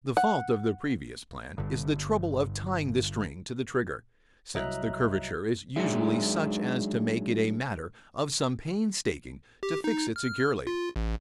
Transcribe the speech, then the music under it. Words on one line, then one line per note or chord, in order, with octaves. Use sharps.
The fault of the previous plan, is the trouble of tying the string to the trigger; since the curvature is usually such as to make it a matter of some painstaking to fix it securely.
F#5
G1 G2 D3
C2 F#3 D#5 E5 A#5 F#6
F#3 G#3 D4 D#4 G#4 E5
G4
D#4
F6
F4
A1